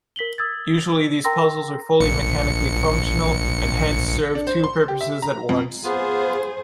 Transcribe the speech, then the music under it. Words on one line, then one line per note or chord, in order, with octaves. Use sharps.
Usually these puzzles are fully mechanically functional and hence serve two purposes at once.
A#4 B6 F#7 G7
D#6 E6 G#6 A6
A#4 G5 A#5 C6 E6 A#6
A#1 C#7
D4
C5
C6
G4
E5
A#5
F2
B3 F4 G#4 C5